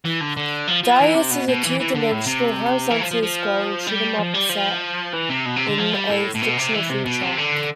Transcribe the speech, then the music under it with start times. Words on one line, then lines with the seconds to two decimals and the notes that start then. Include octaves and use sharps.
"Darius" is a two-dimensional horizontally scrolling shoot 'em up set in a fictional future.
0.05 E3
0.21 D3
0.36 D3
0.68 F3
0.83 F3
1.00 E3
1.15 C3
1.31 B2
1.48 B2
1.63 E3
1.80 E3
1.95 D3
2.12 A2
2.27 C3
2.91 E3
3.01 F3
3.11 F3
3.23 F3
3.87 G3
4.18 F3
4.34 G3
4.49 F3
5.13 E3
5.30 C3
5.46 B2
5.56 C3
5.67 D3
5.78 F3
5.93 G3
6.09 A2
6.34 A2
6.42 B2
6.57 C3
6.74 E3
6.89 C3
7.05 B2
7.21 C3
7.37 D3